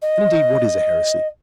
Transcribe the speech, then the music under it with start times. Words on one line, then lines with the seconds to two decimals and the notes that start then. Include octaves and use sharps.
And, indeed what is a heresy?
0.02 D#5